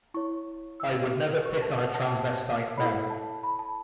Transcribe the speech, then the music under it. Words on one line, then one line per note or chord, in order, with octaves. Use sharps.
I would never pick on a transvestite now.
E4 C#5 C#6
E6
C#6
A5
F#5
A5
A5
E4 A4 C#5 B5
A5
B5
A5